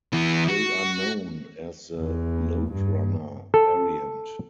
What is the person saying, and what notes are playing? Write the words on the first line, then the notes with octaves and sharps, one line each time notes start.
They are known as the "loadrunner" variant.
E3 B3
F#4
E2
G2
A4